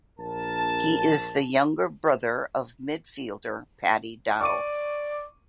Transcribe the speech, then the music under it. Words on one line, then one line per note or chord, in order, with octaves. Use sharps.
He is the younger brother of midfielder Paddy Dow.
A#1 A#4 A5
D5 C#6 D6 D#7